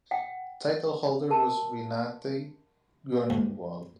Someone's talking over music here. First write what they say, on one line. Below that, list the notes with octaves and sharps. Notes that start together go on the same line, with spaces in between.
Title holder was Renate Groenewold.
F#5 G5
A#4 A5
D2